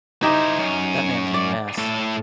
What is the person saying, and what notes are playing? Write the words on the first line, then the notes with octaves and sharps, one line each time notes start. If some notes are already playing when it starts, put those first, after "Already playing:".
That man was a mess,
D#4 E4 G4 C5
F#2 C#4
D5
A2 A4